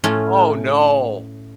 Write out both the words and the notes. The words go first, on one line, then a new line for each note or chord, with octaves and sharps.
Oh no!
A2 A3 C#4 F4